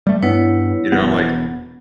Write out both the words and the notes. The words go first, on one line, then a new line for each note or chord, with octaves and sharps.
you know, I'm like,
G3 A3
G2 B3 E4 B4 C#5
E1 B3